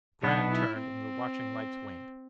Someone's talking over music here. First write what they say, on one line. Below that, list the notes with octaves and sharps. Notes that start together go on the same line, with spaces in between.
Graham turned, and the watching lights waned.
B1 B2 B3 D4
E4
C4